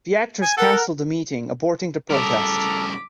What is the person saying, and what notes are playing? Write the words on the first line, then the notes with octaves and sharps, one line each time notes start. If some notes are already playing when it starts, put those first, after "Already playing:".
The actors cancelled the meeting, aborting the protest.
G#5
A4 A#4 F#5
G2 C#3 A4 A#4 D6 B6